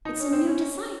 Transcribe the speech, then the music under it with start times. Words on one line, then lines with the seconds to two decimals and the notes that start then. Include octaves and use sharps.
It's a new desire.
0.05 D#4
0.20 C#4
0.33 C4
0.47 C#4